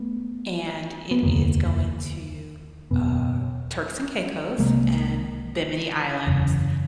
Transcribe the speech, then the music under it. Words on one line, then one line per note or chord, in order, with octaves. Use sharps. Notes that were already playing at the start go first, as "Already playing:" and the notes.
and it is going to, uh, Turks and Caicos and Bimini Islands.
Already playing: A3 B3
B3
F1 D#2 D3 A#3
F#1 E2 B2 B3
C2 C3 G#3 A#3
F#1 E2 C#3